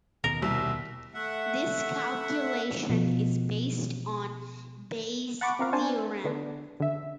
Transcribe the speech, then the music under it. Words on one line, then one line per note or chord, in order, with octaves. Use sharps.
This calculation is based on Bayes' theorem.
D#2 B2 A#4
C2 E5
A3 E5 F#5
B2 F3
F#5 A5 B5 C#6 D6
C4 F4 A#4 F5
C4 D4 C5 G#5 A5
D3 B3 D4
D3 E5